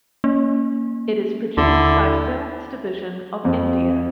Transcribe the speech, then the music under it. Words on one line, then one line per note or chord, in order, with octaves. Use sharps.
It is produced by Films Division of India.
A#3 C#4
D#2 D3 E4
F2 C4